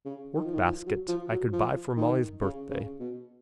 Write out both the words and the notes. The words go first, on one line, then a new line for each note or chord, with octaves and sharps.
Workbasket I could buy for Molly's birthday.
C#3
D#3
F3
D#3
F3
F#3
F3
F#3
F3
D#3
C#3
C#3
B2